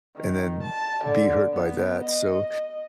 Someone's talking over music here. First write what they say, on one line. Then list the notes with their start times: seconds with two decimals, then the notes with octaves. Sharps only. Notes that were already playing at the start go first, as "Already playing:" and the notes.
and then be hurt by that, so,
0.16 D#3
0.63 A5
1.04 D3
1.52 B3
2.02 D#5